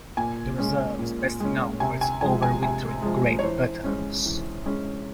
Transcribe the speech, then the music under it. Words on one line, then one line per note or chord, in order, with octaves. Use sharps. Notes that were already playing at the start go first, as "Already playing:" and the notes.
The reserve is best known for its over-wintering great bitterns.
A#2 G#5
G#3 C#4
A#2
G#3 C#4
C3 G#5
G#5
F3 G#3 G#5
G#5
C3 G#5
F3 G#3
C#5
E3 C5
G#3 C#4
E3
G#3 C#4